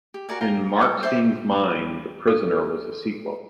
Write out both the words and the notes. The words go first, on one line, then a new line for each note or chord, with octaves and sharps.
In Markstein's mind, "The Prisoner" was a sequel.
G4
F#4 A#4 D5 G#5
F5 G5 A#5
A4 G5
C5 D5 E5 G5
A4